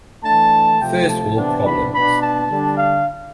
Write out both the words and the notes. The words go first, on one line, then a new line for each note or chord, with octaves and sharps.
First world problems.
E3 A3 D4 A5
C3 F3 A3 G5
A5
C3 E3 B3 D4
B5
B2 B3 D4 B5
A5
D3 G3 D4
F5